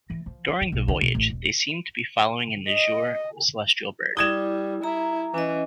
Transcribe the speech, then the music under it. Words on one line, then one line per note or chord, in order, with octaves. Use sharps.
During the voyage, they seem to be following an azure celestial bird.
E3
F3
C#4
D#3
B1
D3
B1
A1
E1
D#5
G3 E4 D#6 G#6 E7
E4 A#5
E3 C#4 D#5